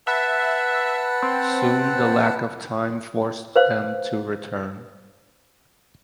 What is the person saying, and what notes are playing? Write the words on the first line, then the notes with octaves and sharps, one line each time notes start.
Soon the lack of time forced them to return.
B4 E5 F#5 A5
C4
B4 C5 F5